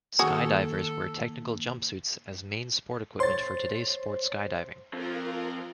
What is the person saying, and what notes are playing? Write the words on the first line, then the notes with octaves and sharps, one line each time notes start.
Skydivers wear technical jumpsuits as main sport equipment for today's sport skydiving.
D#3 A#3 F#4 G#4 A4
C5 C#5 C6 A6
F3 C4 F4 A#4